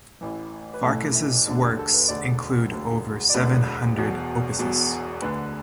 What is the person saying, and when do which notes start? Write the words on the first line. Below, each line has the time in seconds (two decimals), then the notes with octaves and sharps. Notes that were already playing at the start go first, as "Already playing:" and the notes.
Farkas's works include over seven hundred opuses.
0.21 A1 A2 E3
0.74 B4
0.84 A1 A2 E3 A4
1.15 E4
1.47 E1 D2 D3 D4
1.62 G4
1.77 A4
1.94 B4
2.08 E1 D2 D3 D5
2.71 E1 D2 D3
3.30 D5
3.34 E1 D2 D3 B4
3.97 E1 E2 B2
4.59 E1 E2 B2
5.22 D2 D3 B4